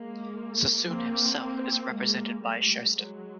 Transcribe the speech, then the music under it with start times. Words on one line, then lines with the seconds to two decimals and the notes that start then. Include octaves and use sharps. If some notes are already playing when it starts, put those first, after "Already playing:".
Sassoon himself is represented by Sherston.
Already playing: G#3 A#3
0.88 A#3 C4
1.40 A#3 C4
1.92 G#3 A#3
2.44 G3 A3
2.96 F#3 G#3